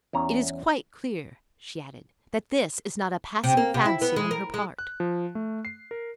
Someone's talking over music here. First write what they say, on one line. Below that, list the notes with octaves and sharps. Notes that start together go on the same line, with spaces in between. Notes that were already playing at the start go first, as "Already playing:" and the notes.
"It is quite clear," she added, "that this is not a passing fancy on her part."
E2 C#4 A#5
C3
A#3
C3
E4
B3
G#3
A#4
G#3
F#6
F3
A3
C7
A#4